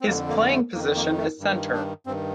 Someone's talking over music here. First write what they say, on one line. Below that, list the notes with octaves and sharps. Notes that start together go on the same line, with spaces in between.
His playing position is centre.
C4
F2 D3 A#3
A#3
A3
F2 D#3 A#3
A#3
A3
G2 D#3
D4
G2 D#3 C4